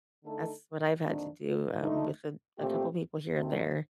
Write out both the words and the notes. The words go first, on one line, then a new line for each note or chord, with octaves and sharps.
That's what I've had to do, um, with a a couple people here and there
D3 A3 D#4 A4
F2 D#3 A#3 D4
D3 A3 D#4
A#2 A3 C4 G4
D2 C3 D#3 A3 C4